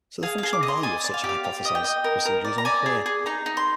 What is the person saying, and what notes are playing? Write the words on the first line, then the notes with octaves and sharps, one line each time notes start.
So the functional value of such a hypothesized procedure is unclear.
G#4 F5
G#4 F5
D6
D#5
C6
D5 G#5
D5
F5
G4
F5
G4 F5
D#5
G5
D#5
A#4
A#4
D5
A#5
D5 G#5
G#4
G#4
D#4 A#5
D#4
C6